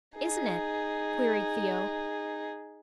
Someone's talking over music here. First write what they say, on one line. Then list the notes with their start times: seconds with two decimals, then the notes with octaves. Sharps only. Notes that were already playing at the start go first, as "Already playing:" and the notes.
"Isn't it?" queried Theo.
0.16 D#4 G#4